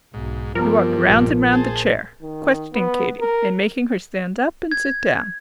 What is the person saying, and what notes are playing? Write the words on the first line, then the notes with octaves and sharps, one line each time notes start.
He walked round and round the chair, questioning Katy and making her stand up and sit down.
B1 G#2
G2 F3 B3 A#4
A#1
G#4 C5 A5
D#3
B3
A#4
G#6